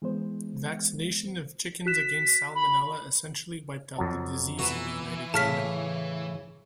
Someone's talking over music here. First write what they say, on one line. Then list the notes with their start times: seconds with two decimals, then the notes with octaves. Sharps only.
Vaccination of chickens against "Salmonella" essentially wiped out the disease in the United Kingdom.
0.02 E3 G#3 B3 C5
1.86 F#4 F#6 B6 E7
2.55 B5
3.96 F2 F#3 A5
4.59 E3 F#4 B4 A#5
5.34 A2 C#3 A5 F6 B6